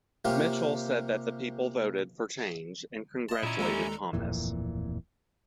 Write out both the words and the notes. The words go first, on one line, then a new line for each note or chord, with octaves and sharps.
Mitchell said that the people voted for change and congratulated Thomas.
C3 A#3 C#4 F4 G4
D#5 A5
A#2 C#4 E4 A#5
D#2 G3 G#3 A4 A#5
D1 F2 A#2 E3